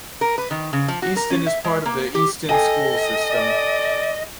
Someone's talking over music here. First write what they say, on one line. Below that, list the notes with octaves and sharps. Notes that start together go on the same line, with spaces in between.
Easton is part of the Easton School System.
A#4
B4
D#3
C#3
F3
F#4
A#4
C#4
E5
G#3
A#3
G4
A4 D#5 G5 G#5
D5